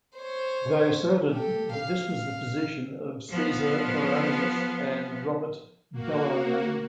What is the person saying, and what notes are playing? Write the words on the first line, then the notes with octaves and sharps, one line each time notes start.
They asserted that this was the position of Caesar Baronius and Robert Bellarmine.
C5 C#5
G4 A4
F5
F3 B3
A#3 F#4